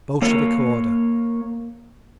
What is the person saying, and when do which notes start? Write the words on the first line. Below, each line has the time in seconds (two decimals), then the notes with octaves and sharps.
Bolshevik order.
0.22 A#3 C#5